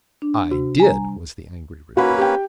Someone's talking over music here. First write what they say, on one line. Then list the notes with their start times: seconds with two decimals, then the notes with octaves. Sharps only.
"I did," was the angry retort.
0.22 D4
0.51 C3 F#4
0.80 G3 G#5 A#5
1.97 A#3 C#4 F#4 B4 B5
2.18 G4 G5